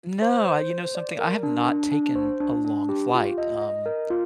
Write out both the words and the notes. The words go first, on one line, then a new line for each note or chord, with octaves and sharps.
No, I you know something? I have not taken a long flight, um,
C5
C5
C5
D5
A#4
D4
D4
D4
C5
D4
D4
G4
F4
D#5
D#5
A#4
F4